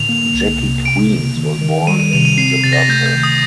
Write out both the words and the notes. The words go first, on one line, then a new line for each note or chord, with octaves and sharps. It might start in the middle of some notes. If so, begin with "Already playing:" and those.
Jackie Queens was born in Zimbabwe.
Already playing: A2 D3 F7
A#3
C2
C3
C3 D7
A#3
D#3
D#3
G3 D#7
D#7
C3 F7
D#7
C4 C7
C7
C3 A6
A#6
A6
A3 G6
G6
D#3
D#6